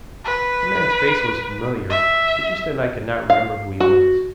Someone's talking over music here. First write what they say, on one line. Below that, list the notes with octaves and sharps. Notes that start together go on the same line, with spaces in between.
The man's face was familiar, but just then I could not remember who he was.
B4
E5
F5
F#4